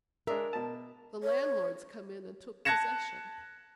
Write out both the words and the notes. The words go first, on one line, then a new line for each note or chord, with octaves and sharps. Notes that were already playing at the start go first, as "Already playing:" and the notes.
The landlord's come in and took possession.
G#3 D4 A#4 E5
B2 A5
C#5
A5 F#6 G#6 A#6 C#7 E7